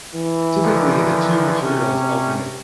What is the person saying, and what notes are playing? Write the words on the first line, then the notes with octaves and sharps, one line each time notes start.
Typically the two materials alternate.
E3
D3 D#3 F3
C3 C#4